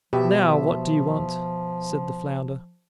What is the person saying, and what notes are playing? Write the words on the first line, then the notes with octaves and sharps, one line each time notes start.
"Now, what do you want?" said the flounder.
B2 F3 G4 E5